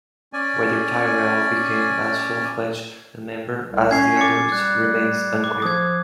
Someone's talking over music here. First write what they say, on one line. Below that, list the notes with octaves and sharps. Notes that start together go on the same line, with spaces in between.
Whether Tyrell became as full-fledged a member as the others remains unclear.
C#4 D5 G#5
C2
C#4 G#6 C7
D6 A6 C#7
G3 F#6
D6
F3 D#6 G#6